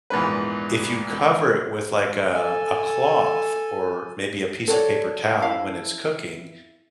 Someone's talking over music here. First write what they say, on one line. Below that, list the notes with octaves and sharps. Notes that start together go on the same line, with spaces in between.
if you cover it with, like, a a cloth or maybe a piece of paper towel when it's cooking,
A#1 E2 G#2 B4
A4 G#5
A4 C#5 D5
E4 F5 A5